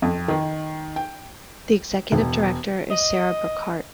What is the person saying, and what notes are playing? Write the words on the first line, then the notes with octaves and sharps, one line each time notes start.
The Executive Director is Sarah Brookhart.
F2
D#3
G5
E1
D#5